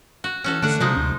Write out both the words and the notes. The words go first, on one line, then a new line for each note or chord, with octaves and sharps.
"Shall I see?"
F#4
C#4 F#4 A4
D3 A3 D4 A4 F#5
C3 F3 G#3 D#4
D2